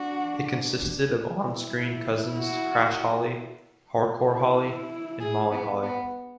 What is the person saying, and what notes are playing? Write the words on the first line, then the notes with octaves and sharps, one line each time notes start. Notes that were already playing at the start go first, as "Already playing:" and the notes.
It consisted of on-screen cousins Crash Holly, Hardcore Holly and Molly Holly.
Already playing: D4 F#4
E4
F#4
E4
G#4
B3
B3